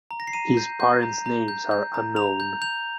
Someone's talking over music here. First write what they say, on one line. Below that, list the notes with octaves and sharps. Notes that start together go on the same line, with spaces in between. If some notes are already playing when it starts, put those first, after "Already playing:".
His parents names are unknown.
A#5
A#6
C7
A#5 D#7
G6
G6
A#5
A#5
G6
G6
A#5
A#5 F7
G6
G6 F7